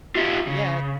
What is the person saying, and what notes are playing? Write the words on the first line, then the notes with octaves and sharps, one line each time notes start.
"Not yet."
F4 G4 E5
C#3